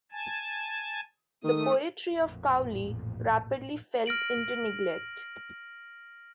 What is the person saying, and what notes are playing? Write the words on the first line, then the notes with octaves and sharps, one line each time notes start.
The poetry of Cowley rapidly fell into neglect.
G#5 A5
D#3 A3 D#6
A1 F2 A#2
F6 A#6 D7 F#7